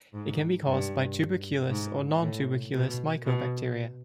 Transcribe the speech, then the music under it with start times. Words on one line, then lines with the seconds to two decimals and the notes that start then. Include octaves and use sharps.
It can be caused by tuberculous or non tuberculous mycobacteria.
0.14 G#2
0.66 G2
1.70 G#2
2.22 A2
2.74 B2
3.25 B2